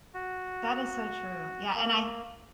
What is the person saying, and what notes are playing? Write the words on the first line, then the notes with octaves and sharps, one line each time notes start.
That is so true. Yeah, and I
F#4
A#3